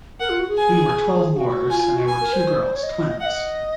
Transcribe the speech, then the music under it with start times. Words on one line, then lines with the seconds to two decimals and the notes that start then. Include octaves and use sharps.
We were twelve boarders, and there were two girls, twins.
0.20 A#4 F#5
0.30 F4
0.39 F#4
0.49 G#4
0.57 G#5
1.33 G#4
1.37 F#4
1.70 F4 G#5
1.83 F4
1.95 F#4
2.08 G#5
2.21 A#4
2.33 C5
2.75 C#5
2.83 D#5
3.21 F5 F#5
3.25 D#5